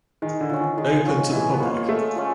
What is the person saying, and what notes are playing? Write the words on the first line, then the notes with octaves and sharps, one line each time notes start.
Open to the public.
D#3 G#3
D3
C#4 F4
D#3
D#3 G#3
C#4 F4
E3 G#3
B3
A#3 C#4 F4
G#3 A3
C#4 F4